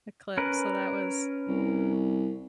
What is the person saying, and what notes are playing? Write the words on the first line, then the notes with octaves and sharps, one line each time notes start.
eclipse, so that was
C#4 A#4 B4
C2